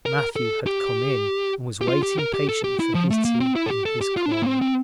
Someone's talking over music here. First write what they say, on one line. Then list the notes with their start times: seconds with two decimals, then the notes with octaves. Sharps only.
Matthew had come in and was waiting patiently for his tea in his corner.
0.06 A#4
0.36 A4
0.66 G4
1.81 G4
1.88 F4
2.03 G4
2.19 A#4
2.34 G4
2.49 A4
2.64 G4
2.80 E4
2.95 F3
3.10 A3
3.25 A#3
3.40 C4
3.56 E4
3.66 A4
3.71 G4
3.85 A4
4.01 G4
4.16 F4
4.26 D4
4.32 E4
4.42 A#3
4.46 C4
4.62 C4